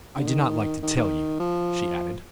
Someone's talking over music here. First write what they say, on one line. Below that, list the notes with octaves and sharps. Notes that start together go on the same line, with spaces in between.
"I do not like to tell you," she added.
D3
D#3
D#3
D#3
F3